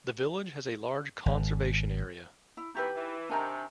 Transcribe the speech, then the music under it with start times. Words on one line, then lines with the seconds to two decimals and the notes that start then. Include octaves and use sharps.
The village has a large Conservation Area.
1.26 G#1
2.57 E4
2.75 B2 E3 D#4 E4 G4 B4
2.95 E3
3.29 C3 D#3 D4 G#5 A#5